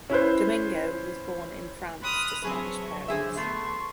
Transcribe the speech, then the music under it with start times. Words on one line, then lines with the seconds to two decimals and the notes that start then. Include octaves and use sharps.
Domingo was born in France to Spanish parents.
0.10 C#4 E4 B4 C5
2.01 B5 C6 D#6 F6 F#6
2.42 F#3 C4 G#4 B4 E5 A5 C#6
3.08 D3 G#4 C5 E5 C6
3.37 A3 B3 A4 A5 C6 C#6